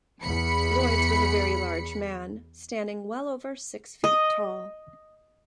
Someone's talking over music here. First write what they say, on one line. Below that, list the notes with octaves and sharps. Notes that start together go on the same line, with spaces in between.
Royds was a very large man, standing well over six feet tall.
E2 B5 C#7
D#5